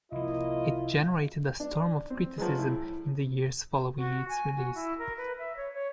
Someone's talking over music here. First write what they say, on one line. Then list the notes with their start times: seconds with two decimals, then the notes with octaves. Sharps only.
It "generated a storm of criticism in the years following its release".
0.12 C2 F3 A#3 E4 F4 D#5
1.60 D4
2.10 C4
2.38 F3 F#3 G#3
2.59 A2 E4
3.96 F#4
4.29 G#5
4.56 F#4
4.75 E4
4.98 A#4
5.17 B4
5.39 E5
5.57 C#5
5.74 C#5